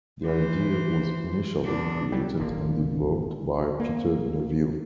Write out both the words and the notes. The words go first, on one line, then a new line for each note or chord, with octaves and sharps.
The idea was initially created and developed by Peter Neville.
E3 C5
E2 D4
F#3 G3
D#1 G#1 D3 A#3
A#3